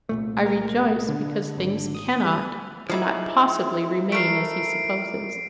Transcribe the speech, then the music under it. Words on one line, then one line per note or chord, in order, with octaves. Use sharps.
"I rejoice, because things cannot, cannot possibly remain as he supposes."
C2 A#2 A3
A#4
D3
G#1
D#6
G3
F3 D#4 E4 G#4 D6
A3 A#4 C7 D7